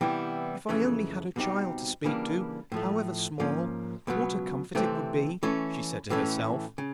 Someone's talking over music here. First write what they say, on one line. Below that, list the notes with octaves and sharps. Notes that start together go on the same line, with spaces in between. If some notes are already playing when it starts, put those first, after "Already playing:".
'If I only had a child to speak to, however small, what a comfort it would be!' she said to herself.
C3 E3 G3 B3 E4
F2 C#3 E3 A3
B2 G3 C4 D#4 G4
C#3 E3 G3 A#3 D4
A2 F3 A3
G#2 F3 A#3 C#4
C#2 B2 F#3 B3
C3 E3 A3 C4
E3 A3 C#4
A2 E3 A3 C#4
C#3